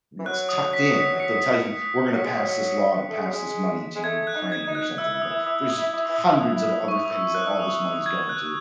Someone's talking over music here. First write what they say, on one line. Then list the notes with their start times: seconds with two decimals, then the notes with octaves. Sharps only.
It's tucked in like they'll tell you we're going to pass this law to pass this money to Ukraine or something, but there's us hundreds of other things that all this money is going to,
0.19 E3
0.26 F#3 F#6
0.49 D#6
0.73 B6
0.86 C#7
0.97 B6
1.20 C#7
2.10 C#7
2.15 F#3 B6
2.25 G#3
2.35 F#3
3.09 A3
3.18 G#3
3.26 F#3
3.34 G#3
3.95 G#3
4.04 A3 G#6
4.27 F#6
4.36 D#4
4.52 G#6
4.67 D#4
4.75 F#6
4.98 E4 E6
5.14 E4
5.22 D#6
5.30 E4
5.46 E4 D#6
5.61 E4
5.70 D#6
5.78 E4
5.93 E4 D#6
6.09 E4
6.16 D#6
6.25 E4
6.40 E4 D#6
6.56 E4
6.64 D#6
6.88 E4 C#6
7.05 D#6
7.11 E6
7.34 F#6
7.47 E6
7.59 D#6
8.06 G#6
8.29 F#6